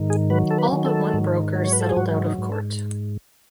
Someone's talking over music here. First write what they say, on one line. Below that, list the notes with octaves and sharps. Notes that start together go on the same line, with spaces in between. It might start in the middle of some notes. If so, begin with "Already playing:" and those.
All but one broker settled out of court.
Already playing: G#2 D#3
G#4
F#3 B4
A4
B4
D#3
A4
G#2
F#3
C#5
B4
A4
G#4
G#2 F#4
D#4
G#2
A4